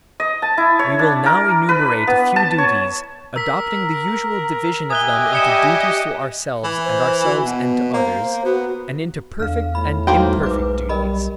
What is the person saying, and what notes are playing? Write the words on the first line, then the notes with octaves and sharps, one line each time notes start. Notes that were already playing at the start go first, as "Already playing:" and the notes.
We will now enumerate a few duties, adopting the usual division of them into duties to ourselves and ourselves and to others, and into perfect and imperfect duties.
D#5
A5
E4
C#5
D4
A#4
B4
B3
A5
C#5
A#4 E6 B6
G4 D#5 E5 G#5 D#6 F#6 G7
G3 D#6 C#7 E7
E3
C5
F#4
B2 B3
A#3 C5
B3 F#4
E2 D3 F5 F6
A2 B5
G3 A#3 D#4 F#4 C5 G5
B1 G#2 B4 D6
G3 A#4 D#5 B5